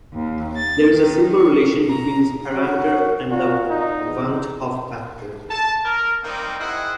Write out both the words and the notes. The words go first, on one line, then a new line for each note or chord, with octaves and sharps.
There is a simple relationship between this parameter and the van 't Hoff factor.
D#2
A6
D#3
C#6
A#5
F#3 F#4
A#2 F#4
D#4
E2
A5
A#4
D#3 G3 A#3 C4 D#4
E4 G#4 C5 D#5 F#5 G5